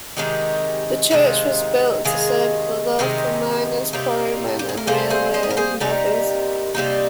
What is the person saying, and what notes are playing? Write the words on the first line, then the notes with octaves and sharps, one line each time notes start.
The church was built to serve the local miners, quarrymen and railway navvies.
C3 D#3 G#3 D#4 G4 A#4
C3 D#3 G#3 D#4 F4
C3 D#3 G#3 F4 G#4
C3 D#3 G#3 D#4 G4 A#4
C3 G3 A#3 D#4
G4
G#4
A#4
C3 G3 A#3 G#4 C5
G#4 C5
C5 D#5
G#4
A#4
G#4 C5
C3 G3 A#3 D#4 G4 A#4
C3 G3 A#3 D#4